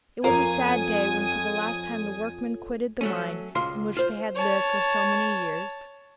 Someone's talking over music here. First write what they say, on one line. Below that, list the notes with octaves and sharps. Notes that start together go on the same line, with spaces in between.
It was a sad day, when for the last time the workmen quitted the mine, in which they had lived for so many years.
F2 A#3 F4 A4 C#5 G#5 D#6
F#3 A3 C#4
C#2 F4 C6
F4 C5
C#5 A5